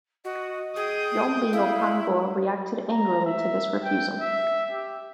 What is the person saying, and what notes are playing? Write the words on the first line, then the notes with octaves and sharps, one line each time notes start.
Yhombi-Opango reacted angrily to this refusal.
F#4 D#5
G#4 G5 D#6
E4 F5
A#5
E5
G5
E5
G4